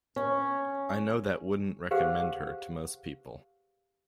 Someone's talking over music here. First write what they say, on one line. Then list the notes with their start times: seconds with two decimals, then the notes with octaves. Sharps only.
I know that wouldn't recommend her to most people.
0.16 C#4
1.91 G4 G#4 B4 C5 F5 F#5